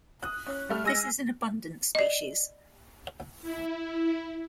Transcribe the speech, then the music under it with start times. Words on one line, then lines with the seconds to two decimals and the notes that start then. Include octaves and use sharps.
This is an abundant species.
0.23 D#6 F#6
0.46 C#4 F#6
0.69 G3 A3 F6
0.84 G#3 G#5 E6 A#6
1.95 D5 D#5
3.42 E4